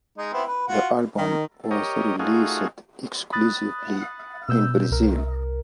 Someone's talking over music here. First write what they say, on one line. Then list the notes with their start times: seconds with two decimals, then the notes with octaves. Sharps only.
The album was released exclusively in Brazil.
0.18 G#3 D#4
0.33 B3 C4 E4
0.47 B4
0.68 F4 F#4
1.17 D#3
1.71 G4 A#4 C#5 D#5
2.19 A3 D#4 F4 F#4 G#4
3.32 B5 D#6 F#6 A6
4.49 B2 E6 G6
4.91 C2 A#4